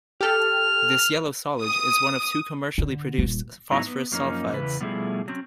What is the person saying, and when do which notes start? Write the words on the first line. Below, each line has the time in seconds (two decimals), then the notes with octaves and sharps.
This yellow solid is one of two commercially produced phosphorus sulfides.
0.21 G4 A4 F6
1.61 D#6
2.78 D3
3.18 D#1
3.70 G#2 F#3 B3 D#4 E4
3.87 B3
4.12 F#2 F3 A#3 C#4 D#4
4.52 E2 C#3 E4 B4
4.81 B2 F3 G3 A3 E4 G#4
5.28 F#3 C4 C#4